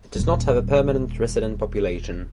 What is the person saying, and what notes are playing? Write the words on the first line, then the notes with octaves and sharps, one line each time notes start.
It does not have a permanent resident population.
D#1 G3